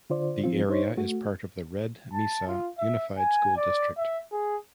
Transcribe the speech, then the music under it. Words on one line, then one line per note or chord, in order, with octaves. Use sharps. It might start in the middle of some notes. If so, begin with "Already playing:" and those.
The area is a part of the Red Mesa Unified School District.
D3 F4 C5 D5
F3 C4 F4
D#4 C5 C#5
A3 F#4
A5
F4
E5
G#5
D5
E5
G#4